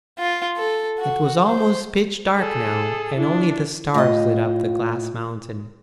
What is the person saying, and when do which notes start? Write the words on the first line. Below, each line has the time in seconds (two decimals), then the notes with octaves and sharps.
It was almost pitch dark now, and only the stars lit up the Glass Mountain.
0.19 F4
0.57 A4
0.99 F#4
1.47 C5
2.37 G#4 A4
3.17 D4 E4
3.94 A2 F4 D#5